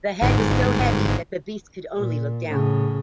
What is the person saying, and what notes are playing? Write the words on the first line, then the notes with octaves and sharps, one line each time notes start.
The head was so heavy that the beast could only look down.
G1 G#2
A#2
A2 C#3